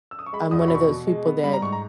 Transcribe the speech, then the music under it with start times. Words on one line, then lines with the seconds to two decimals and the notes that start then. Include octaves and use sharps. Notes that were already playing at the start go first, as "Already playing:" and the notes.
I'm one of those people that
0.11 E6
0.19 D#6
0.26 C#6
0.33 G#3 B5
0.51 E2 D#6
0.60 C#6
0.68 B2 B5
0.75 C#6
0.88 B2
1.07 G#3
1.26 B3
1.44 G3 B5
1.53 A#5
1.62 G#2 C#6
1.72 A#5